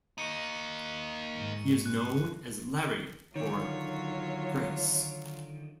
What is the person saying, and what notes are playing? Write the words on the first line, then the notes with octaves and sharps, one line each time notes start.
He is known as "Larry" or "Grase".
A#3 D#4 C#6 C#7 D#7
G#2 C#7
F#6
D3 D#3 F#3 F4 C#5